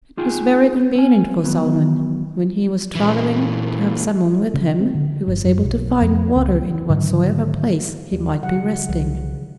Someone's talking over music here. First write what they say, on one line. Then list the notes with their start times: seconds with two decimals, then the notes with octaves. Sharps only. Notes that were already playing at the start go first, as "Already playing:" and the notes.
It was very convenient for Solomon, when he was traveling, to have some one with him who was able to find water in whatsoever place he might be resting.
0.17 D#4 F4 G#4 G5 G#5
0.96 C4 G#5
1.43 D#3 E3 F#3 B3
2.95 A#2 E3
4.54 C#3
4.80 C4
4.95 D3
5.28 G1
5.44 F#2
5.63 B1
6.01 F2
6.36 C#2
6.90 G#2 D3 D#3 F#3
8.12 D#2 G3
8.43 C#3 F#3 F#5
8.89 C2 F3 G3